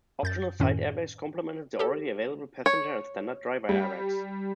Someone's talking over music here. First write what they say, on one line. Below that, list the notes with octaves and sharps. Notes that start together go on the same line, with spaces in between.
Optional side airbags complemented the already available passenger and standard driver airbags.
F#2 G6 A6
F#2 A2 D#3 C#4
G4 A4
C#5
G3